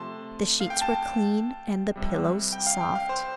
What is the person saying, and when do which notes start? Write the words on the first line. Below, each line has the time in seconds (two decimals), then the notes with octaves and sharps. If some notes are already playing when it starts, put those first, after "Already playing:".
The sheets were clean and the pillows soft.
Already playing: C3 F3 A3 A5 C6
0.60 F5
0.70 G5
0.81 A5
1.96 F2 C3 G3
2.52 G5
2.67 F5
2.81 G5
2.95 F5
3.09 C5